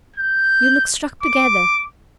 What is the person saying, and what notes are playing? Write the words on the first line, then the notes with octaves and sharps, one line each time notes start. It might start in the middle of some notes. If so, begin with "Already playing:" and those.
You look struck together.
G6
D6